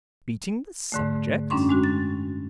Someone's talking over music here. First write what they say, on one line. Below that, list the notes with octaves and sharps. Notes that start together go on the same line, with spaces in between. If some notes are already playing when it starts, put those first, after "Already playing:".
"Beating the subjects!"
G#2 D3 A3
F#2 G3 C#4 D4 C6 C#6
G#3 D4 F#4
A6